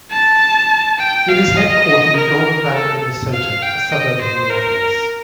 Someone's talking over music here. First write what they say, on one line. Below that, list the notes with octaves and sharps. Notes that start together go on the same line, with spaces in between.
It is headquartered in Golden Valley, Minnesota, a suburb of Minneapolis.
A5
G5
F5
D#5
A#4
A4
F5
G5
D#5
C5
A#4